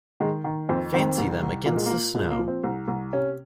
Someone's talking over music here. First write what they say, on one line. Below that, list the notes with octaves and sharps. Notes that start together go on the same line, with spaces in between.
Fancy them against the snow!
D#3 G#3
D#3
F2 C4
D#3 C4
C2
C2
A#2 A#3
G#3
A#3
A#2
A#2 G#3
A#3
F3
C4
C2
C2
C3 C#4